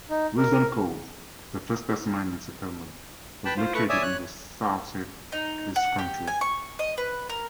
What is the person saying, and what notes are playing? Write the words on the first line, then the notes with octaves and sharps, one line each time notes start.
Risdon Cove, the first Tasmanian settlement, was located in south-east country.
D#4
A#4
B4 G5 A5 B5
F4 C5
A3 B4 C#6
C#5 D5 E5 G#5 D#6
C#5 F#6
D#4
F#5
G4
G#5
C#6
D#5
B4
A#4